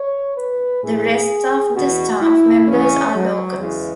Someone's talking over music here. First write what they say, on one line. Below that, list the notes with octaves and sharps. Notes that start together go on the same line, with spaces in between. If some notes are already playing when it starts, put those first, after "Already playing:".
The rest of the staff members are locals.
Already playing: C#5
B4
A2 E3 G#4
E2 B2 F#4
E4
E2 C#3 E3 C#4
F#3
E2 C#3 E3 G#3